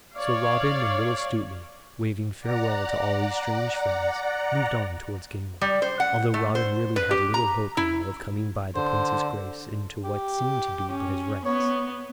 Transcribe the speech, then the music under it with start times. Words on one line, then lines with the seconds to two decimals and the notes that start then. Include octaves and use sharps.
So Robin and little Stuteley, waving farewell to all these strange friends, moved on towards Gamewell, although Robin really had little hope now of coming by the Prince's grace into what seemed to be but his rights.
0.15 C#5 D5 F5
2.40 D5 F#5 A#5
5.61 G3
5.82 C5
6.00 F#5
6.34 A3
6.55 C5
6.96 B4
7.11 G4
7.34 A#5
7.77 E4
8.75 D3 C5
10.04 G4
10.90 C#4
11.45 B3 C#5